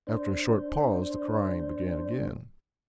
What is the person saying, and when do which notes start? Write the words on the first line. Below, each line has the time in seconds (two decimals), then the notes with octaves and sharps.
After a short pause the crying began again.
0.07 D4 C5